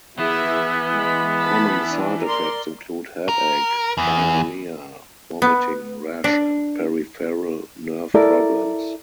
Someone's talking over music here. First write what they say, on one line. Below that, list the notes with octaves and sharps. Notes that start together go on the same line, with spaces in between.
Common side effects include headache, diarrhea, vomiting, rash, and peripheral nerve problems.
E3 B3 E4 G#4 E5
G#3 B5
A5 B5
D4
A#4 D5 C6
A#4
E2
B3
D4
E4 A4 A#4 D5